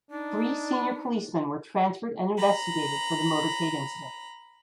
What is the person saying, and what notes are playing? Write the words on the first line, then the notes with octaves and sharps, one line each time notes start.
Three senior policemen were transferred and investigated for the motorcade incident.
D4 D#4
A#5 B5